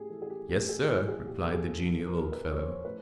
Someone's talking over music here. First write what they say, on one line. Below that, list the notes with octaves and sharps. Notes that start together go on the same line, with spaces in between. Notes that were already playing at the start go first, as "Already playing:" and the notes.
"Yes, sir," replied the genial old fellow.
Already playing: A2 G4 G#4
E3 A4
G#4
G4
A2 G4
A4
G#4
G#4
E3 G4
G#4
A#2 G4
A4
G#4
F3
A4
A#2 A#4
B4
F3
C#5
C5
A2 B4